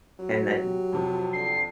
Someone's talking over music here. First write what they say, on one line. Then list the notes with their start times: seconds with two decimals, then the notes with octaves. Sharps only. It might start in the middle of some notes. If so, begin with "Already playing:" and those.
And that t
0.19 F#3
0.59 G4
0.93 F2 C3
1.33 D3 C7